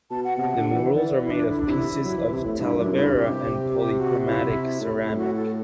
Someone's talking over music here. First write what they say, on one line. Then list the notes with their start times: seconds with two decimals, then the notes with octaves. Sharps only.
The murals are made of pieces of talavera and polychromatic ceramic.
0.11 B2 A5
0.24 F#5
0.38 C3 F#5
0.56 D3
0.75 E3
0.94 E3 D5
1.12 E4
1.24 E4
1.30 D4
1.49 D3 E4
1.59 D4
1.67 C3 E4
2.04 F#3
2.18 E3
2.32 C3
2.45 A2
2.59 G2 E4
2.78 F#2 D4
2.96 G2 E4
3.15 C3 G4
3.71 G4
3.98 F#4
4.25 C3 E4
4.81 A2 E4
4.99 E4
5.18 F#4
5.36 A4